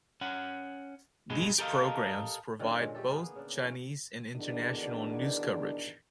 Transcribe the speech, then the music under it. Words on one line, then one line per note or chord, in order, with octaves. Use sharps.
These programmes provide both Chinese and international news coverage.
C#4 F#5
G2 B2 G#3
G4 A4 A#4 D#5 F5
D3 D#3 F#3 C#4
A#2 D3 G#3
G#3 A3 G4 A4
A#3 B3 G#4
C#3 D4
E3 C#5 F5
E2 B2 D3 D#3 D4